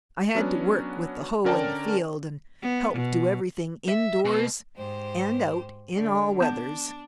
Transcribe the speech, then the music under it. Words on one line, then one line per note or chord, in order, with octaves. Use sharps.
I had to work with the hoe in the field and help do everything in doors and out in all weathers.
F#3 B3 C#4 D4
D3 C#4 A#4 D5 G5 A5
B3
B2
E5
B2
G#2 G4 C5
D3
B3 D4 A5